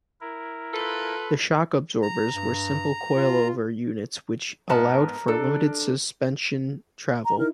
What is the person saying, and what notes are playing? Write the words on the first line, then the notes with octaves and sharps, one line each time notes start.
The shock absorbers were simple coilover units which allowed for limited suspension travel.
E4 A#4
F4 A4 B4
A#5
G2
F4
G#2 B3 A#4 A5
D4 A4
A#5
D#4 E4 A#4